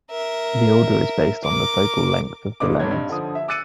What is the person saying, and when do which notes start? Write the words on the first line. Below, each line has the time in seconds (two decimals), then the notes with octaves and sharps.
The order is based on the focal length of the lens.
0.11 A#4 E5
1.43 A#4 D6
2.60 A#2 C#3 D#4 B4 D6
2.79 F1 B1 C#5 G#6
2.91 G2 D#5
3.09 D3 F3 D#6
3.35 E5
3.48 D6 E6 F#6 A6 C#7 D#7